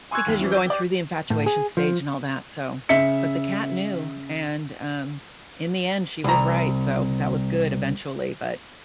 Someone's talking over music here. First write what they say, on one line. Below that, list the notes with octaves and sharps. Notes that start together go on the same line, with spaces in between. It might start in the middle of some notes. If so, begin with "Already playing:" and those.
because you're going through the infatuation stage and all that so, but, the cat knew, and, um, in the end, she was right, so that was good eventually but,
G#5 C6 C#6 E6 F#6 G#6
D#2
E3 F3 C#4 E4
G6
G4 D5
A2
G#4
F3
C#3 E5 B6 C#7
C2 A#5